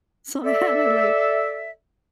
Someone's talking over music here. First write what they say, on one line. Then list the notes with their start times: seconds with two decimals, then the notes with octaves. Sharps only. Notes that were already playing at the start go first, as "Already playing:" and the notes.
so I had to, like
0.44 A4 D5 E5